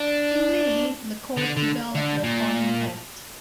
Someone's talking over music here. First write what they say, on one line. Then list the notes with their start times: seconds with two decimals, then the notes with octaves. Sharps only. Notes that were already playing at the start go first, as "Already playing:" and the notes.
In "Lee" the Court developed the coercion test.
Already playing: D4
1.37 D3
1.56 D3
1.95 D3
2.23 A#2